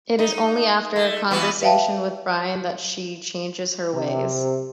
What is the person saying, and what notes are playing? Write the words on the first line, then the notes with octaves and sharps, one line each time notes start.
It is only after a conversation with Brian that she changes her ways.
D#4
A3
E3 B3 F#4
B4 E5 F5 G5 A5
C3